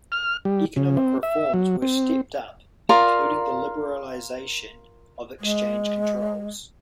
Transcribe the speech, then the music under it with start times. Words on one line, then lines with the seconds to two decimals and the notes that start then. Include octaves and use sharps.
Economic reforms were stepped up, including the liberalization of exchange controls.
0.12 F6
0.45 G3
0.76 C#3
0.97 C4
1.23 E5
1.54 F#3
1.82 C4
2.89 F4 A#4 D5 F5
5.40 G#3